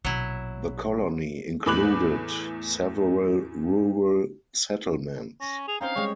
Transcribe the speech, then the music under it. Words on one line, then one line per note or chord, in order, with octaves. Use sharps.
The colony included several rural settlements.
A#1 B2 F#3 E4
E2 A2 B5 D6 F#6 F#7
C#4 A#6
G#4 F7
C4 C#4 D#4 C5 F5
G3 G#3 C#5